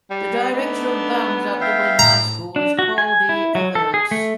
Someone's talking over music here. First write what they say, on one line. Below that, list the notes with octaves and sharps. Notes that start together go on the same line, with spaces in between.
The director of bands at Dublin High School is Paul D. Everts.
G3
A3 B3 D4 D#4
E5 F5 G5
A2 A#5
D4
F#4
G#5
E4
F#3
A4
G#4
A3